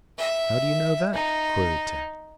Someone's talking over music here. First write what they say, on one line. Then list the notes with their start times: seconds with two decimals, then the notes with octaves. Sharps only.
"How do you know that?" queried Tad.
0.19 E5
1.14 D#4